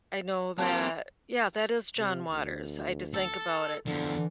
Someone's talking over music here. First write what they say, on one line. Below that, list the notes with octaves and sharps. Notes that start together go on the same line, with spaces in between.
I know that Yeah, that is John Waters. I had to think about it.
F#3 A#3 C4 F4 G4 A4 A5
C3
D2
A4
E2 D3 F3